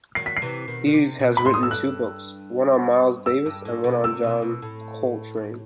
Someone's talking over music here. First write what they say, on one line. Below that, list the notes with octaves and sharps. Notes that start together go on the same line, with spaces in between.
He has written two books, one on Miles Davis and one on John Coltrane.
D#3 F#3 C7
B6
C7
C3 E3
B2 D#3
D#3
C3
B2
B2 B5
A2 C6
D#6
E6
G2 F#6
E6
G2
A2
B2
C3 E6
B2 D#3
B2
A2